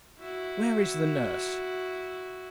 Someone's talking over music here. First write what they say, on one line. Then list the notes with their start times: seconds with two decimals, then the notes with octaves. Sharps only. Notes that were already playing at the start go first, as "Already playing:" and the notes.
'Where is the nurse?
0.19 E4 F#4